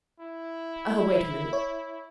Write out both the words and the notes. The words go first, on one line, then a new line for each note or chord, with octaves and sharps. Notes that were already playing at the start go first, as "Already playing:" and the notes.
'Oh, wait a minute.
E4
C#5